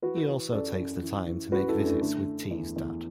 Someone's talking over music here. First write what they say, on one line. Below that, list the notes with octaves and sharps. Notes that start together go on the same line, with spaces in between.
He also takes the time to make visits with T's dad.
E3 F#4 B4
E3
F#2 A4 D5
F#2
E3
E3
F#2 F#4 B4
E4 A4
F#2
A3 D4
D3 A3
D3
E2
E2